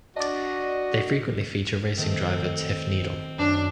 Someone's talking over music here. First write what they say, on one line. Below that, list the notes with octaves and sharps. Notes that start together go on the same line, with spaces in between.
They frequently feature racing driver Tiff Needell.
D4 F#4 D5 D#5
D#3 A3 C4
C#7
F#2 D4